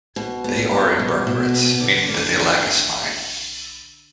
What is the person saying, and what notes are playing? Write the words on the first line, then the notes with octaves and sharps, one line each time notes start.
They are invertebrates, meaning that they lack a spine.
B2
B3
G3
B2
B2
B3
D3
A#3